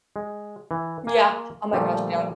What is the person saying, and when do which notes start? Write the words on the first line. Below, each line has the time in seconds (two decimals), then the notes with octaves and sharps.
Yeah. Oh my gosh, yeah.
0.16 G#3
0.71 E3
1.07 A#3 G#5
1.73 A#2 D3 F3 G3 A3